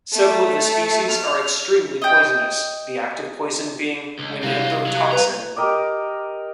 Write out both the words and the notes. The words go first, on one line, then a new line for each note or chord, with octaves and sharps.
Several of the species are extremely poisonous, the active poison being oenanthotoxin.
A3
F6
D#5 G5
C#2
C2 C4 F#4 F5
F#3
B4 A#5
G4 A#4 D#5 D6